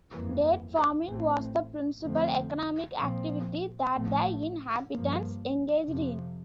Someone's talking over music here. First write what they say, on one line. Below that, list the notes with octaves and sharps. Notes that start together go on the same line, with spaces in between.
Date farming was the principal economic activity that the inhabitants engaged in.
G1 F2 E3 A#3
A1 A2 E3 A3 C4
F2 D3 A3 C4
A#1 A#2 F3 C4
A1 A2 F3 A3
G2 F3 A#3
F2 C3 F3